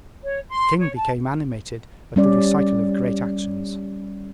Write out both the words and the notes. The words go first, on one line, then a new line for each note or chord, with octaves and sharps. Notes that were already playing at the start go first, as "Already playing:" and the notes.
The king became animated at the recital of great actions.
C#5
C6
C#5
A5
G3 C#4 D5